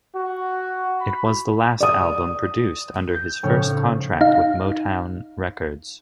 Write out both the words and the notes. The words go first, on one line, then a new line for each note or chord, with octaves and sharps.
It was the last album produced under his first contract with Motown Records.
F#4
B5
D5 D#6
G6
F1 A2 C#3 C#5 F6
D#4 F5